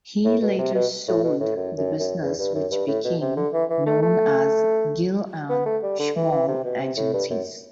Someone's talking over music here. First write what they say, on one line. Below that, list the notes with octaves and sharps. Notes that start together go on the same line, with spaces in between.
He later sold the business, which became known as Gill and Schmall Agencies.
A2
B2
C3
B2
A2
B2
A2
F#2
F#2
F#2
E2
G2
F#2
G2
A2
B2
C3
D3
E3
E3
A3
A3
B3
A3
G3
D3
E3
E3
C3
B2
C3
A2
G2
F#2